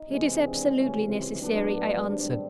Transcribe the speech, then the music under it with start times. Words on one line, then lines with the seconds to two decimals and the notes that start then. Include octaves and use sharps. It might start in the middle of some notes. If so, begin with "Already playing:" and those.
"It is absolutely necessary," I answered.
Already playing: D#4
0.09 C#2 C3 E3 G#3 C4
0.41 D4
0.74 C#2 C3 E3 G3 C#4
1.08 C4
1.41 A2 F#3 B3 D4
2.06 G#2 D#3 G3 C4 D4